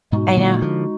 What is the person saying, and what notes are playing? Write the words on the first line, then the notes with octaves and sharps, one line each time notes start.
I know.
G#2 B2 G#3 D#4 F#4
A#2 D3
D3 F3